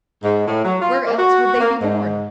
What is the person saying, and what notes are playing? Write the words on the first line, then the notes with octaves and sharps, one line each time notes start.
"Where else would they be born?"
G#2
A2
F#3
F4
A#3
F#4
A#3
G#2